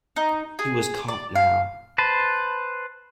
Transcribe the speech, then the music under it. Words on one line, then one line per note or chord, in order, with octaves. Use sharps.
He was caught now.
D#4
G#4
D5
F5
B4 C5 A5